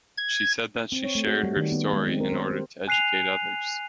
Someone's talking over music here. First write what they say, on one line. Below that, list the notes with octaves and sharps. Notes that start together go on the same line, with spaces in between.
She said that she shared her story in order to educate others.
G#6
C4
C#5
A3
F#4
G3
D#3
B3
G#3
C4
A#4
C5
G4
G#5 F#6 C7 D#7 F7